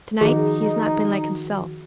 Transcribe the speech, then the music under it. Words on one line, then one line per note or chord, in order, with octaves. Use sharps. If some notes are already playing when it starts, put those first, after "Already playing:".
'To-night he has not been like himself.
D#3 F3 D#4 F#4 G#4